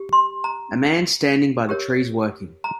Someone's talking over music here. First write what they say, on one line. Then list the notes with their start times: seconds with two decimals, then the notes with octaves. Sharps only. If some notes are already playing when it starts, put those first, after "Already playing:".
A man standing by the trees working.
Already playing: G4
0.13 C6
0.44 A#5
1.69 G4 A#4 C#5
2.64 A#5